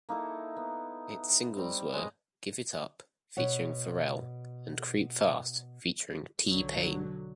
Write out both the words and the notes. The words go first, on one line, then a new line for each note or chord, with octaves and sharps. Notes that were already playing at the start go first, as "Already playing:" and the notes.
Its singles were "Give it Up" featuring Pharrell and "Creep Fast" featuring T-Pain.
A#3 D#4 E4 A4
B3
G3 C4
G#3 C#5 D#5
B2 C#5 F#5
B1 D3 F#3